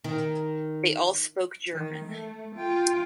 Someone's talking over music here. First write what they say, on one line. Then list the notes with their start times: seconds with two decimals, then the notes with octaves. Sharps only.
They all spoke German.
0.04 D#3
1.73 D#3
2.06 A3
2.57 F4 G5